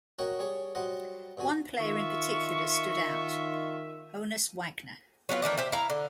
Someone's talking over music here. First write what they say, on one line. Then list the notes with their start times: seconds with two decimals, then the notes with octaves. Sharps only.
One player in particular stood out--Honus Wagner.
0.19 F#4 A#4 C#5 D#5 F#5 G5
0.39 G3 G#4 C#5
0.75 F#3 G3 C5 D#5 F#5
1.37 G2 D3 F#4 G#5
1.79 D#3 F4 E5 C#6
5.29 F#3 B3 D4 F4
5.42 D#3 E3 A3 D4
5.57 G4 C5 E5
5.72 E4 F5 A#5
5.90 D3